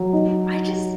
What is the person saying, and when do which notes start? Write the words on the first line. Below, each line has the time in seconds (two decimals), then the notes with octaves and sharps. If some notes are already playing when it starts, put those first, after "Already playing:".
I just
Already playing: F#3
0.13 D#4